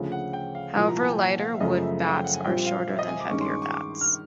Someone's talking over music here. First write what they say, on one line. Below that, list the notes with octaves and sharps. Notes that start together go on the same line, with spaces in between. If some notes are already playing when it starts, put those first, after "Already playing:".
However, lighter wood bats are shorter than heavier bats.
Already playing: D2 C#3 F3
F#5
G5
F5
C2 A#2 F3 A#3
A#5
A5
G#5
G5
F#5
F5
E5
F#2 C#3 F3 A3 D#5
E5
F5
G5
F#5
G#5
A#1 A#2 G3 C4 F4 G5
F5
E5
D#5
G#5
D6
G2 D#3 G#3 C#4 C#6
C6
D6
C#6
C#6
D6
F6